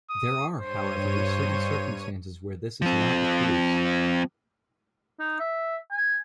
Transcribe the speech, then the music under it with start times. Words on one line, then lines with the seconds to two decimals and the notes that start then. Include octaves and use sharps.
There are, however, certain circumstances where this is not the case.
0.10 D#6
0.60 G2 C5 C#5 D#7
2.82 F3 C4
5.19 D#4
5.40 E5
5.92 G#5